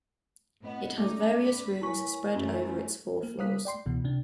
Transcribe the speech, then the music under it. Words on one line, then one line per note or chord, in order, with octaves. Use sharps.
It has various rooms spread over its four floors.
A2 B3 C4 D#5 F#5
A3 C#4 D#4 D5 D6
B4 B6
E4 A#4 C#5 G#5 C#6
F#2 E3 F#3 A3
A#3
G3 A#4 F5 D#6 F#6 B6
D5 G5 C6 C7
C#2 B2 E3
C3 D4